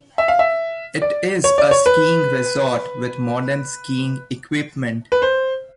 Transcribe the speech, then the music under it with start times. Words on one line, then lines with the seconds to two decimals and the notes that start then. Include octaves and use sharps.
It is a skiing resort with modern skiing equipment.
0.18 E5
0.28 F5
0.39 E5
1.02 D5
1.44 C#5
1.58 D5
1.71 C#5
1.86 B4
5.12 B4
5.22 C5